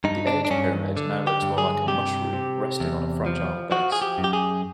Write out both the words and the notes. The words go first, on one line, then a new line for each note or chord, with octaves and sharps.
The age pyramid now looks more like a 'mushroom' resting on a fragile base.
G2 D#4
D4
D4
G2 C#4
D3
G4
G2
G#4
C3 G4
C3
E2
F3
F3 F#4
G#4
G4
F#2
G4
G#4